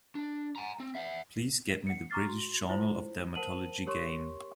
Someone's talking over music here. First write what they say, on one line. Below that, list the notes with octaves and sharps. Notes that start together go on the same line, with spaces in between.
Please get me the British Journal of Dermatology game.
D4
G#5 A#5
C4
E5 F#5
F#5 C#7
A#5 C#6 D6 F6 A6 C7
F#4 C6
E4 F4 C5
A#4 C5 F#5 A5 D#7 F#7
G4 A#4 C#5 C6 C#6